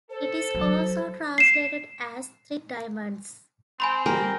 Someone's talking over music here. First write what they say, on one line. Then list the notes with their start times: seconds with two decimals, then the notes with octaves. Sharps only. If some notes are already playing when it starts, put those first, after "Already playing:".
It is also translated as "three diamonds".
0.10 A4 C5
0.55 F#3
1.38 C7 E7
3.80 C4 G#5 B5 C6
4.06 G3 A#4 G#5